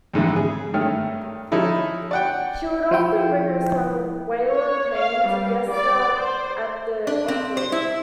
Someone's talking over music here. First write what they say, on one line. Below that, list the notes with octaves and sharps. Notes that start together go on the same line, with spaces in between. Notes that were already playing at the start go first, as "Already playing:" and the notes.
She would often bring her son Waylon Payne to guest star at the Opry.
F2 G#2 D3 E3
G#4
G2 D#3 A3 C#5 F6
F3 C#4 D#4 E4 A4
D5 F#5 G5
F3 E4 G5
C#5
F5
G3
D5
C5
D4
C4
C5
E4